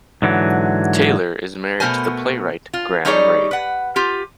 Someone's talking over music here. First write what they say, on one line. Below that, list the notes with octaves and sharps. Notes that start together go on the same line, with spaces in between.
Taylor is married to the playwright Graham Reid.
G#2 D3 E3 F#3
B2 A3 B3 A#4 C5 G#5
F4
G3 D#4 G4 G#4 C#5 D5
B4 F#5
F4 G4